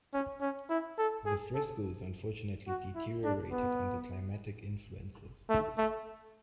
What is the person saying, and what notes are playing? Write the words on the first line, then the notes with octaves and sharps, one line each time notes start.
The frescos unfortunately deteriorated under climatic influences.
C#4
C#4
E4
A4
G#4
A4
F#4
E4
D4
B3
A3
A3